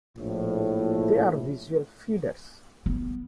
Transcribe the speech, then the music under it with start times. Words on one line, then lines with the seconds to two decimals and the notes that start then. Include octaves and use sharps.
They are visual feeders.
0.18 A#1 A2
2.86 B3